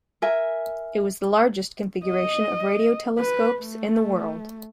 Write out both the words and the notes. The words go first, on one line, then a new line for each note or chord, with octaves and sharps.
It was the largest configuration of radio telescopes in the world.
A#4 E5 G#5
D#5
B4
A3